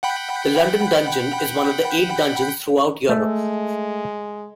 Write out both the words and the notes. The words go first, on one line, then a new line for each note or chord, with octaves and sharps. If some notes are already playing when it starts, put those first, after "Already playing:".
The London Dungeon is one of eight Dungeons throughout Europe.
F#5 G5 B5
G#3 A3